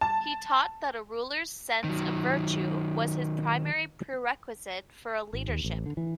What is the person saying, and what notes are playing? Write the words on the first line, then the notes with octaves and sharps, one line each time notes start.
He taught that a ruler's sense of virtue was his primary prerequisite for leadership.
A5
D#3 F#3
G#1
D#2
A1
D3
E3